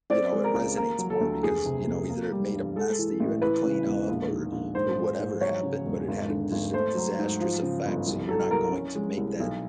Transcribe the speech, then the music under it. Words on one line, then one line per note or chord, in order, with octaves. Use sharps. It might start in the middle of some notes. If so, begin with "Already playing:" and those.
you know, it resonates more because, you know, either it made a mess that you had to clean up or or whatever happened, but it had a dis disastrous effect, so you're not going to make that,
C4 D5
G#3
A#4
C#2
A#3 A#4
F#3
A4
D2
F1 G#4
C3
F1
A#3
G3
G2
G#3 A4
E3
A1
E3 B4
C#3
E1
A#1
D#3
A#1
G#2 C5
G#3
G#2
F#3 C#5
C#3
E1
G#1
D3
G#1
A3 C5
F#3
G#2
F3
C#3
G1
C2
F#3 A4
C2 A#4
C#4
G#3
C2
B1